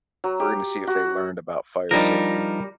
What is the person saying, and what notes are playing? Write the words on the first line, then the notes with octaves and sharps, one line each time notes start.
we're going to see if they learned about fire safety,"
F#3
G4
F#4
F3 G3 D4 D#4 A#4